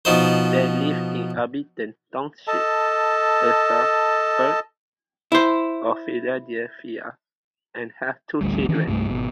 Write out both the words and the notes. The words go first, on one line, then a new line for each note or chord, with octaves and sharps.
They live in Abington Township, a suburb of Philadelphia, and have two children.
B2 F3 D#4 C5
A4 D#5 A5
E4 C5
A1 D2 G3
D#3 E3 C#4 D4
C2 G2 F3 A3
G#1 B2